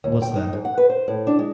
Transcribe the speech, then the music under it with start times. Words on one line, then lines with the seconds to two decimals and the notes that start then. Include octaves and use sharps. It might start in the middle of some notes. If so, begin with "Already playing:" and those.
What's that?
0.04 D#2
0.22 G5
0.36 D#4
0.53 G#2
0.65 F#5
0.78 B4
0.90 C5
1.08 A2
1.27 D4
1.39 G#3